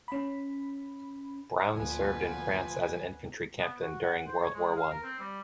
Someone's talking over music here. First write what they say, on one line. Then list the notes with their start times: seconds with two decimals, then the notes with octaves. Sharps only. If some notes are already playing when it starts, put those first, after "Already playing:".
Brown served in France as an infantry captain during World War One.
0.08 C#4 B5
1.74 D2 A#2 F3 B3 B4 G#5
3.59 B3
3.81 F#4
4.01 F#5
4.27 C5
4.41 C#5
4.54 G#3
4.76 F5
4.90 A#4
5.03 C4
5.19 G3